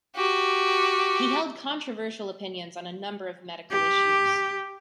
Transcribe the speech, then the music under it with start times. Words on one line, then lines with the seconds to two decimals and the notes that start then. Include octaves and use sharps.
He held controversial opinions on a number of medical issues.
0.16 F#4 G4
3.71 G4